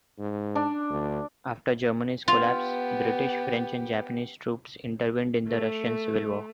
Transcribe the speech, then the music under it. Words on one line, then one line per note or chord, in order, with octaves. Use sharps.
After Germany's collapse, British, French and Japanese troops intervened in the Russian Civil War.
G#2
D4
D2
B3 F4 G4
A3